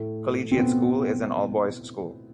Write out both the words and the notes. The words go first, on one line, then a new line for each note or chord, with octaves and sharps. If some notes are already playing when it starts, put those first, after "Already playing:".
Collegiate School is an all-boys school.
Already playing: A2 A3
C4
B2 B3